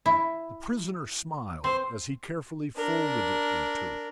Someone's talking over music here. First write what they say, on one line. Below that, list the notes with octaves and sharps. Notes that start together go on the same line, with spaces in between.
The prisoner smiled as he carefully folded it in two.
E4
C4 C5
D4 A#4